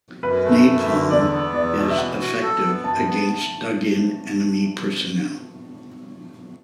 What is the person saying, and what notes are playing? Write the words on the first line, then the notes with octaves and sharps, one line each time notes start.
Napalm is effective against dug-in enemy personnel.
F#2 B4
A3
F#2
D3
E2 D5
B3
E2 D5
B2
E5
E3 F#5
F#4
A4
B3
F#2 A5
B3